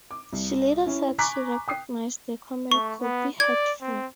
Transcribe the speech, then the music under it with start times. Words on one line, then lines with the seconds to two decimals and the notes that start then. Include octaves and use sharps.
She later said she recognized the comment could be hurtful.
0.11 D6
0.33 C2
0.86 C#4 E4
1.18 G#5 A#5 C#6 D6 F#6 B6
1.68 G5 D#6 C7
2.72 A3 C#6
3.01 B3
3.40 D5 G#6
3.81 C4